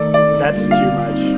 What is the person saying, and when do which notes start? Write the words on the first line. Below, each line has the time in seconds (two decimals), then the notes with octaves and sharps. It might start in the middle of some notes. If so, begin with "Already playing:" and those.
I that's too much.
Already playing: D#3 A3 D#4 A4 D5
0.14 D5
0.43 D3 G3 A#3 F4
0.71 F5
1.00 G3 C4 D#4